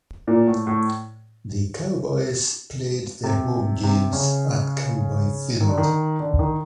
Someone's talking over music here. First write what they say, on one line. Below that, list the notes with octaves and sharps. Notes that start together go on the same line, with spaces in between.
The Cowboys played their home games at Cowboy Field.
A#2
A2
A2
C3
C3
C#3
D#3
D3
D#3
D3
D#3